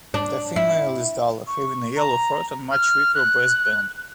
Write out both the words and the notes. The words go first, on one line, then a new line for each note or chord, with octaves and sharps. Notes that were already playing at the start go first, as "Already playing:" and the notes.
The female is duller, having a yellow throat and much weaker breast band.
D4
E4
C#6
A#5
F6
F#6